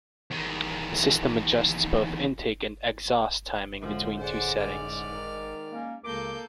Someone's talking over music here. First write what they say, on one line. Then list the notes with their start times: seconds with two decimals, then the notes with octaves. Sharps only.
The system adjusts both intake and exhaust timing between two settings.
0.31 E2 D#3
3.80 F#2 A2 D3 F3 G#3
4.20 G#4 C5 D5 F#5
4.58 G#2 D5 F6
5.12 D#3
5.71 A#3 C#4
6.04 C#2 C#3 A#3 A4 A#4 D6 G6